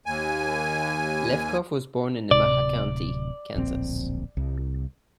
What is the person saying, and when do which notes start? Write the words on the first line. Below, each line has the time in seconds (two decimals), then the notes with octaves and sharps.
Lefkow was born in Nemaha County, Kansas.
0.06 D#2 G#5
2.31 D1 C3 D5
3.56 D1 A#1 C4
4.37 C2